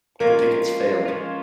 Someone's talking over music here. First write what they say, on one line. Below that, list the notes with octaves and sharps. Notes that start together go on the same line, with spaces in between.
The pickets failed.
F3 G#3 A#3 C#4 F4 A#4
F3 G#3 C#4 F4